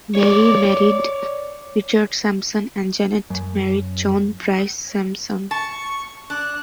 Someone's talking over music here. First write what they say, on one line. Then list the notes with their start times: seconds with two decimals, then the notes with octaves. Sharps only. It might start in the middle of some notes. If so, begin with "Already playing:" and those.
Mary married Richard Sampson and Janette married John Price Sampson.
0.15 C#5 D5
3.30 F#2
5.51 A5 C#6
6.30 D4 F#6